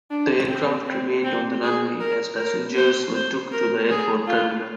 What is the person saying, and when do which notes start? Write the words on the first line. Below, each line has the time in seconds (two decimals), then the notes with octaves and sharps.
The aircraft remained on the runway as passengers were took to the airport terminal.
0.10 D4
0.49 C4
0.87 C4
1.24 C4
1.63 G#4
2.00 A#4
2.38 A#4
2.76 C5
3.14 C5
3.52 A#4
3.90 G#4
4.27 F4